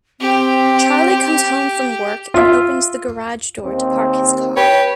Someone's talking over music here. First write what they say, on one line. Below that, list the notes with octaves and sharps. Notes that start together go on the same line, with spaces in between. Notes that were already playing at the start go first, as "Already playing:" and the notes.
Charlie comes home from work and opens the garage door to park his car.
C4 G4
F4 E5
D#2 C4
G4 B4 C#5